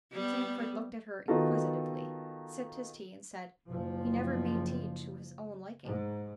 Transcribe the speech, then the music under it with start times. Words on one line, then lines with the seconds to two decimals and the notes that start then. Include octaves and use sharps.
Sandford looked at her inquisitively, sipped his tea, and said, "He never made tea to his own liking."
0.13 G3 B3
1.28 D#3 B3 D#4 F4 F#4 A4
3.70 F#1 F3
5.86 G#2